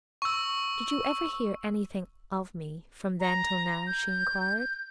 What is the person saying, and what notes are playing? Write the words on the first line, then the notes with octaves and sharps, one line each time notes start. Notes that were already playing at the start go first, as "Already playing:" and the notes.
"Did you ever hear anything of me from then till now?" she inquired.
C#6 E6
A#5
G6